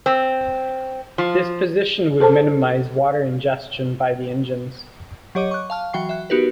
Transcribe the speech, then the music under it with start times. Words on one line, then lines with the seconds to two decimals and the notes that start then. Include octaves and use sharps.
This position would minimize water ingestion by the engines.
0.06 C4
1.18 F3
2.20 G#4 A4 C5 A5
5.35 F#3 G4 C#5 D#5 D6 D#7
5.51 C#6 F#6
5.70 F5 A5 F6
5.93 E3 F#3 F#4 G5 C#6 C7
6.09 E5 F#6
6.30 B3 D#4 F#4 G4 A#4 B4